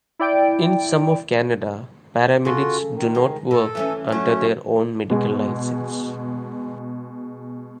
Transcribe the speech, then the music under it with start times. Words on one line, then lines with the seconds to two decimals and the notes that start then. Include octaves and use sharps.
In some of Canada, paramedics do not work under their own medical license.
0.19 E4 D5 G5 D7
2.45 C#3 F4 F#4 A4
2.94 D#3
3.15 G#3
3.51 A#2 A4
3.75 E3 A3 C#4
4.09 A#2 F#3 A3 C#4
5.10 B2 G#3